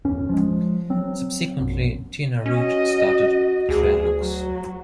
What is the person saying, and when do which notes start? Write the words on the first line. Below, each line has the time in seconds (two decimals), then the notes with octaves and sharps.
Subsequently, Tina Root started Tre Lux.
0.05 D1 G1 E2 C#4
0.29 F3 G#3
0.90 F#3 C4
1.59 A#1 F#2
2.46 C#4 F#4 D#5
3.69 D2 G#4
4.20 F#3